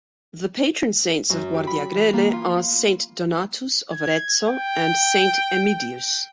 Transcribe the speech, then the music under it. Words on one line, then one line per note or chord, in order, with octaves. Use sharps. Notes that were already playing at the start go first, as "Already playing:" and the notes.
The patron saints of Guardiagrele are Saint Donatus of Arezzo and Saint Emidius.
F#2
G4
B5
E3
A#3
F4
G#6
G5